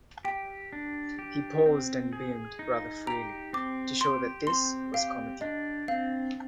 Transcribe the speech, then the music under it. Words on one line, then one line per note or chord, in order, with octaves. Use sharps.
He paused, and beamed rather freely, to show that this was comedy.
G4 G5
D4
G4
C4
G#4
D#4
G4 A#5
C4 D6
G4 C6
C4 C6
G4 F5
D4 D#5
C4 F5